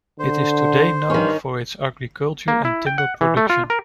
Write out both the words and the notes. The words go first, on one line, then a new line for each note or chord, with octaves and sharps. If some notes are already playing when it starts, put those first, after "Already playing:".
It is today known for its agriculture and timber production.
D3 C5
G2 D#3 C#4
A#3
E4
G5
F#5
E3
A3
F4
A#4